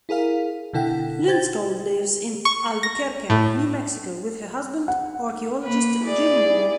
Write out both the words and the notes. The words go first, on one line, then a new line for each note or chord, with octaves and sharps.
Lindskold lives in Albuquerque, New Mexico, with her husband, archaeologist Jim Moore.
E4 G#4 A#4 F5
B2 D3 E4 A4 F#5 G5
C5 G5 G#6 A6
C#6
A#6
A2
F#5
A#3 B4
E4 G#4 D5